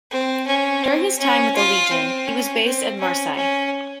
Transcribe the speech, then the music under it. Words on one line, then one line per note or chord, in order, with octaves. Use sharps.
During his time with the Legion, he was based at Marseille.
C4
C#4
C4
C#4
F4
C4
C#4
C4
C#4
C#4